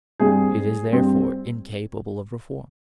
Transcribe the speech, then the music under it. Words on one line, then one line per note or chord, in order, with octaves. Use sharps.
It is, therefore, incapable of reform.
G2 G3 C4 G#4
G2 G3 C4